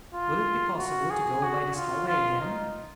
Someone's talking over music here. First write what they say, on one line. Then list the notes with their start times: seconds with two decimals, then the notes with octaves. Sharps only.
"Will it be possible to go by this highway again?"
0.14 F4
0.78 F#4
1.10 G#4
1.43 F#4
1.76 F4
2.08 F4
2.40 D#4